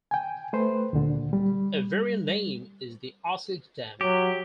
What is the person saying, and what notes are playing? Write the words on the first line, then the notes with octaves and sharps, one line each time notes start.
A variant name is the "Osage Dam".
G5 G#5
A3 B4 C5
D2 A#2 D3
G3
F#3 G4